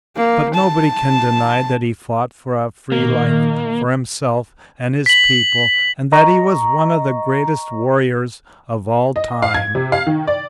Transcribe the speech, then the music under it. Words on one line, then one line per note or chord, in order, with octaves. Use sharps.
But nobody can deny that he fought for a free life for himself and his people and that he was one of the greatest warriors of all time.
A#3
A5
A#2 D#3 A#3
B6 F#7
D#5 A#5 C#6
D#5
F5
G#6
C3
F5
D#3
D5